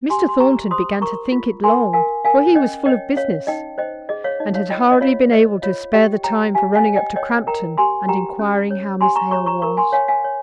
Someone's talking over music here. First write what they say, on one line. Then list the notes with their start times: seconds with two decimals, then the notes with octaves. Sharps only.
Mr. Thornton began to think it long, for he was full of business, and had hardly been able to spare the time for running up to Crampton, and enquiring how Miss Hale was.
0.10 G4 G#5 C6
0.29 C6
0.40 G4 A#5 C#6
0.71 C5 C6 D#6
1.01 A#4 A#5 C#6
1.32 F4
1.64 A#4 G#5 C6
1.93 A#4 F5 G#5
2.25 A#4 F5 G#5
2.55 C#4 D#5 G5
2.86 C#5 D#5 G5
3.16 C#4 C#5 F5
3.47 D#4 D#5 G5
3.78 C5 D#5 G5
4.09 G#4 D#5
4.24 C#5 F5
4.40 D#4 D#5
4.55 C#5 F5
4.70 F4 D#5 G5
4.92 D#5
5.01 F4 C#5 F5
5.32 C5 D#5
5.62 F4 C#5 F5
5.94 G4 D#5 G5
6.24 C#5 G5 A#5
6.55 G4 F5 G#5
6.75 F5 G#5
6.86 C#5
6.96 D#5 G5
7.16 C#5 D#5 G5
7.47 A#4 G5 A#5
7.78 G4 G#5 C6
8.08 G4 G5 A#5
8.39 C#4
8.71 C#5
9.01 G4 G#5 C6
9.16 A#5 C#6
9.31 C#5 A#5 C#6
9.46 A#5 C#6
9.62 A#4 A#5 C#6
9.77 G#5 C6
9.92 C#5 F5 G#5
10.08 F5 G#5
10.24 C#5